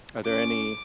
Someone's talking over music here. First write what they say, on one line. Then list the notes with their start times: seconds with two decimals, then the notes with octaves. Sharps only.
Are there any
0.25 C#4 D6